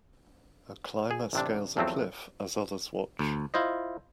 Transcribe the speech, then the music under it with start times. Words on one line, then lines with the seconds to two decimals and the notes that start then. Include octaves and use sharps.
A climber scales a cliff as others watch.
1.11 G#4
1.33 A1 C3 D4
1.77 E2 F3 F#3 A3 C4
3.19 D2
3.54 E4 F4 C5 D#5